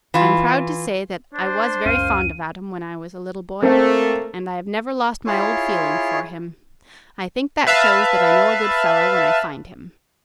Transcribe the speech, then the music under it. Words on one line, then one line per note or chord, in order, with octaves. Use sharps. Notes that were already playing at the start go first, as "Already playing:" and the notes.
I'm proud to say that I was very fond of Adam when I was a little boy, and I have never lost my old feeling for him--I think that shows that I know a good fellow when I find him.
E3 F4
D4 C5
C#2 F#2 C#4 F5 D#7
A3 A#3 C4 A4
E4 F4 G#4 C#5 C6
B4 E5 F5 A5